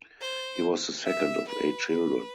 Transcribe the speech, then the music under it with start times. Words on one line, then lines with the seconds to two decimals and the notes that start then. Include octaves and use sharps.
He was the second of eight children.
0.21 C5
1.06 E5
1.49 B4
1.90 B4